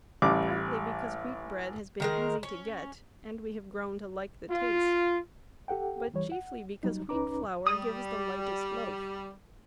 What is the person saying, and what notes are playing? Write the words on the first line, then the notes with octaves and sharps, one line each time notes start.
Partly because wheat bread has been easy to get and we have grown to like the taste, but chiefly because wheat flour gives the lightest loaf.
A1 G3 D6
D#3 G#3 A#4
C#4
F4
G4 A4 F#5 G5
E3 G3 C#5
F#5
F#3 G3 D#4
C#2 C#4 D#4 B4 A#5 D6
G3 D#6